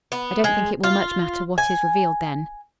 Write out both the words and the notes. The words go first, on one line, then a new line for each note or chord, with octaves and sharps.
"I don't think it will much matter what is revealed then."
B3
G#3
F4
G#5